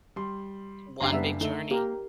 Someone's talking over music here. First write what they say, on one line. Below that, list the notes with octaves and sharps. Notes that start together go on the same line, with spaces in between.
One big journey,
G3 C6
F#1 D4 G4 F5 G#5 A#5 C6 C7
G3 B3 E5
D3 A3 D#4 E5 G7
A#3 G4 A#4